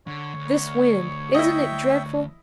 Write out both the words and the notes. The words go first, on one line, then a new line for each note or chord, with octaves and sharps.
This wind--isn't it dreadful?
D3 C#5
D2
E4 D#5 E5 G5